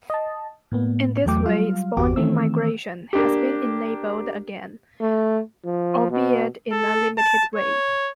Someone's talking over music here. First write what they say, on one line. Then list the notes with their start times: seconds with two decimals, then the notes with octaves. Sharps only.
In this way spawning migration has been enabled again, albeit in a limited way.
0.10 D#5 A5
0.72 A2 A#3 B3
1.26 E2 F#3 A3 G5 D6
1.45 F#3 G3 F4 F5
1.97 G1 E2 B3 F#4 G4 D6
2.16 D#3 E3 A3 C4 E6
3.13 A#3 D4 G4
5.01 A3
5.65 F3
6.11 B2
6.72 A4
7.18 A5
7.56 C#5